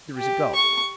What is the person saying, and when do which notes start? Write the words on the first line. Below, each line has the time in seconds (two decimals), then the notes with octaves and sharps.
There is a gulf.
0.17 G4
0.55 C#6